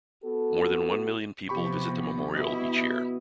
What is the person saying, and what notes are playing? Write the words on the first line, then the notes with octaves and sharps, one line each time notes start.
More than one million people visit the memorial each year.
B3 F#4 A4
C3 F3 B3 G4 B5 C#6
B2 E4 D#5